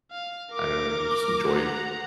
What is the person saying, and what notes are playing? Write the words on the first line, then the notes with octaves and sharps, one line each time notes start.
I don't know, we just enjoy
F5
A#4 D6
F#5 A#5